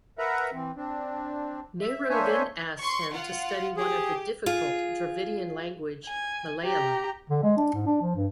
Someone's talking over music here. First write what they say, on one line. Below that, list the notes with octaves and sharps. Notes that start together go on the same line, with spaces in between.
Nehru then asked him to study one of the difficult Dravidian language Malayalam.
A#4 B4 E5 F#5 A#5
E3 C4
C4 D4
E5
A#3 D4 C5 C#5 E5 G#5
C6 C#6
F4 F#5
G4 G#4
F4 G#4
G#5
G4 A#5
D3
G#3
D4
G#2
D4
F3
G2